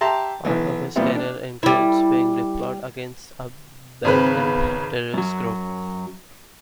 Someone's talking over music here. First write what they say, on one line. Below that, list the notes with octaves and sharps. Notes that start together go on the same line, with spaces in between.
Part of his career includes being deployed against a Balkan terrorist group.
G4 E5 A5 A#5 C6
B1 E3
A#2 E3 G3 B3 C4 E4
D4
G3 E4
G#1 C#3 C4 B4
B3
F#2 F#3